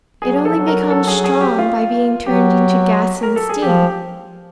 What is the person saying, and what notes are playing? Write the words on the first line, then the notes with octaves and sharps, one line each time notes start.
It only becomes strong by being turned into gas and steam.
F#3 G#4
G#4
F3 A4
F#3
A#4
A4
G#4
G#4
G4
F4
F#3 G4
A#4
A4
G#4
F3 G4